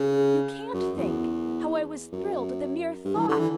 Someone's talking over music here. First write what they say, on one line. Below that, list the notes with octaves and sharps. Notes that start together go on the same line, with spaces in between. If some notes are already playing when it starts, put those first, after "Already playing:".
You can't think how I was thrilled at the mere thought.
Already playing: C#3
F#2
E2
F#2
G2
E3
D3
E3